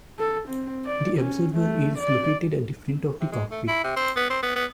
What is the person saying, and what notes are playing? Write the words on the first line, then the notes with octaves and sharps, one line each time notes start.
The observer is located at the front of the cockpit.
A4
C4
D5
C#4
A3
D5
C3
G#3
A3
E4
C3
C4
B3
C4
B3
B3